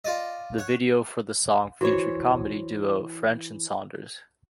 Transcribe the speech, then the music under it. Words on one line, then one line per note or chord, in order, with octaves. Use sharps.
The video for the song featured comedy duo French and Saunders.
F4 D5 D#5
C#5 F#5
E3 F#4 C5 C#5